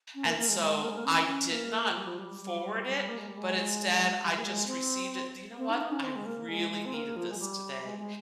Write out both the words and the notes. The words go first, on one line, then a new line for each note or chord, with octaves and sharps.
and so, I did not forward it, but instead, I just received it. "Do you know what? I really needed this today."
C#4
A#3
A#3
G#3
G#3
A#3
G#3
A#3
C#4
C#4
A#3
F3
G3
F3
G3
G3
G3
G3
G3
A#3
G#3
G3
G#3
G3
A#3
G#3
C4
C4
D#4
C#4
D#4
C#4
C4
G#3
A#3
G#3
G#3
C4
A#3
F3
G#3
G3
G#3
G#3